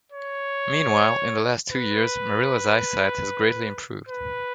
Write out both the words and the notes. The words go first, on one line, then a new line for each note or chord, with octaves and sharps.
Meanwhile, in the last two years, Marilla's eyesight has greatly improved.
C#5
B4
B4